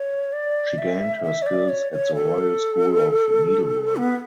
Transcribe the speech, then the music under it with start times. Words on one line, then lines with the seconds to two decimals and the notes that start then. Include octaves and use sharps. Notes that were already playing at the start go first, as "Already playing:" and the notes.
She gained her skills at the Royal School of Needlework.
Already playing: C#5
0.33 D5
0.78 E5
1.24 E5
1.42 C#5
1.46 D5
1.69 C#5
1.92 C#5
2.15 A4
3.97 B3